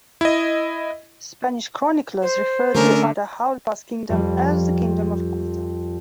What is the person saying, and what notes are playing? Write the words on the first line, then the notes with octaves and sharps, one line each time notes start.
Spanish chroniclers refer to Atahaulpas' Kingdom as the Kingdom of Quito.
E4 D#5
C5
D3 A3 C#4 A#4
F2 G3